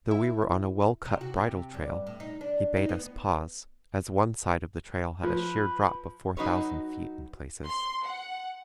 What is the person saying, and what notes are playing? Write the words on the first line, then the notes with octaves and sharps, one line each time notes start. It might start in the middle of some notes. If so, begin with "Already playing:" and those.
Though we were on a well-cut bridle-trail, he bade us pause, as one side of the trail had a sheer drop of four thousand feet in places.
E4
C3
F#4
C3
G2
A2
D#4
D4
D#4
B3
F3 B4
F#3 D#4 F#4 B4 C#5
C6
F#5